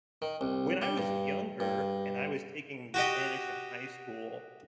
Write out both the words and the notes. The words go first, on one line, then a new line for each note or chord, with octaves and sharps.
when I was younger and I was taking Spanish in high school,
D#3
C2
G3
G2
G2
F#4 G4 D#5